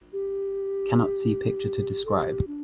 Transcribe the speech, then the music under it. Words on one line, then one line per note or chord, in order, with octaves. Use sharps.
Cannot see picture to describe.
G4
A4
G4
D4